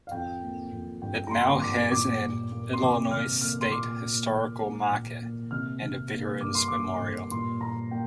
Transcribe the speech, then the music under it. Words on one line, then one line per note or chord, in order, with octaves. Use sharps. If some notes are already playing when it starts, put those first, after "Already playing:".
It now has an Illinois State Historical Marker and a Veteran's Memorial.
F5
F2 G5
A#3
F2
G2 G5
A#5
A#3 C6
G2 D6
A#2 D6
A#2
A#3
C6
C3 D6
C3 F6
A#3 F6
C6
A#2 D6
A#3
A#2
A#2
A#2
A#3
C3 F6
C3
A#3
G2 D6
C6
A#3 D6
G2
A#2 C6
A#2 A#5
A#3 G5